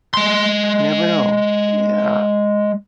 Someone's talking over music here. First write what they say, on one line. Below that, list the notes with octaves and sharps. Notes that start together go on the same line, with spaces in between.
You never know, yeah.
G#3 C6